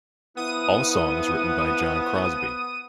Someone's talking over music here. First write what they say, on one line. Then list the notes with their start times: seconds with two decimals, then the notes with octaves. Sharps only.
All songs written by Jon Crosby.
0.37 F3 B3 E4 D#6 D#7